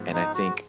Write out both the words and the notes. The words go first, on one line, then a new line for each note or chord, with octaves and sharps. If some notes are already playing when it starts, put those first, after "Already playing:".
and I think
Already playing: G#2 F3 B3
D#4
F#4